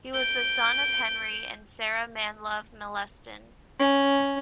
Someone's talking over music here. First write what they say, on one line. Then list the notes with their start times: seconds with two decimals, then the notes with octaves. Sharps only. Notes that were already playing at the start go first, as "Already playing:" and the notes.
He was the son of Henry and Sarah Manlove Molleston.
0.14 G6 D7
3.79 C#4